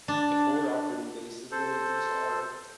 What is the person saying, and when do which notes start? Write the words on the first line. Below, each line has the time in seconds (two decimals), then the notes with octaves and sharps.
A forward operating base is named in his honor.
0.08 D4
1.51 A4 C5